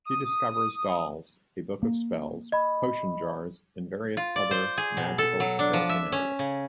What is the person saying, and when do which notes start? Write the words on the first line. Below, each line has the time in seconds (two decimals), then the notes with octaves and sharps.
She discovers dolls, a book of spells, potion jars, and various other magical paraphernalia.
0.07 D#6
1.83 A#3
2.52 D#5 B5
4.17 F4
4.36 D5
4.51 C5
4.78 G#4
4.97 B2
5.18 A4
5.40 F#3
5.59 D4
5.73 F3
5.89 E5
6.12 C#4
6.39 C#3